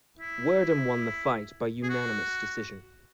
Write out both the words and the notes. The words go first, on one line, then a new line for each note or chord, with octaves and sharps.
Werdum won the fight by unanimous decision.
E4
G#4
F#4